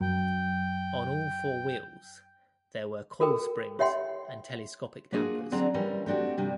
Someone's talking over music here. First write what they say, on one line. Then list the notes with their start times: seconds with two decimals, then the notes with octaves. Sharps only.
On all four wheels there were coil springs and telescopic dampers.
0.01 F#2 G5
3.20 F#4 A4 A#4 G5
3.79 G4 C#5 E5 F#5 G5 C6
5.12 A#3 D4 F4 F#4 G#4
5.51 D3 F#3 C4 D4 G#4 A#5
5.74 E3 G3 C#4 A#4
6.06 A3 C4 D4 F#4 G4
6.37 G2 C3 G3